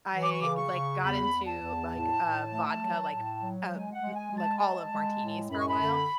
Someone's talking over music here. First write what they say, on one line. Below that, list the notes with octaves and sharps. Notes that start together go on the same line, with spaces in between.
I, like, got into, like, uh, vodka, like, uh, m like, olive martinis for a while,
E3
D6
C#6
C#3 D6
C#6
C#3
E2 B5
E2
A5
E2
A2
A2
A3
F#3
A2
F#3
G#3 G#5
F#5
G#3
G#5
G#3
A5
G#3 A5
G#3
A2
F#2 B5
C#6
B5
D3